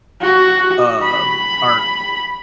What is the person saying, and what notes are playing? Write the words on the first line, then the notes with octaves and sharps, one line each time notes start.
um, our
F#4
B5